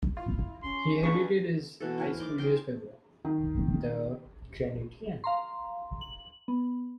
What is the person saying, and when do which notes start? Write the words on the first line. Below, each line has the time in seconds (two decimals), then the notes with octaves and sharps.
He edited his high school newspaper, "The Granitian".
0.17 E4 F4
0.63 C#4 C6
1.03 F2 D3 G#4 B4 C#6
1.80 B2 E3 A4
1.98 E4 A#4 C5
2.19 D#4 D5 C6 D6
2.38 G#4 A#4 G5 C6
3.25 D#3
5.24 F5 A#5 C6
6.01 F#7
6.48 B3